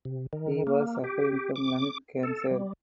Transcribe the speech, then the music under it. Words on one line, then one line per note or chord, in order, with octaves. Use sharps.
He was suffering from lung cancer.
C3
D#3
A#3
G4
D6
A4
G3